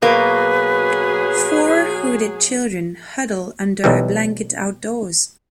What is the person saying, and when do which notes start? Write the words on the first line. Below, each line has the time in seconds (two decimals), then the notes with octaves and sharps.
Four hooded children huddle under a blanket outdoors.
0.02 B2 F#3 A#3 G#4 B4
3.84 B1 E3 G3